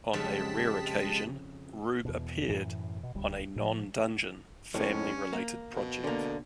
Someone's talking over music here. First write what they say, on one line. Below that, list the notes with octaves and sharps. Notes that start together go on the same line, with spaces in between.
On a rare occasion, Rube appeared on a non-Dungeon Family related project.
F2 C#3 G#3 G4 F#5 A5 B6
E2 B2
F#2 A2 E3
B2
D#1 D2 G3
A2 F3
F2 A2 C#4
A#3
B2
D3 A#3